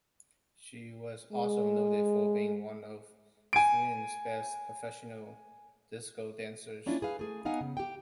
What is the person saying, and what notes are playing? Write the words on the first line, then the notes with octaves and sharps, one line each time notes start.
She was also noted for being one of Sweden's best professional disco dancers.
G#3
G#5 D7
A#3 C#4 D4 E4 F4
G#4 B4 F5
A3 G#4
B3 D#4 F5 F#5 G#5
C#3
G4 G5